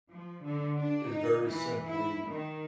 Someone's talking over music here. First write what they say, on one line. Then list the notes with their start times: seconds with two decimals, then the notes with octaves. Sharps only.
is very simply,
0.10 F3
0.44 D3
0.77 D4
1.09 D#4
1.46 E3
1.86 E4
2.28 D#3